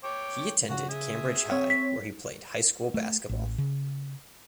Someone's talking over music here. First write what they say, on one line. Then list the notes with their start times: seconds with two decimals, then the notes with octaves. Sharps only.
He attended Cambridge High where he played high school basketball.
0.04 C#5 G5 D6
0.70 C#3 F#4
0.89 G#4 E5
1.51 C4 C#5
1.70 B6
2.94 A3
3.29 A1
3.58 C#3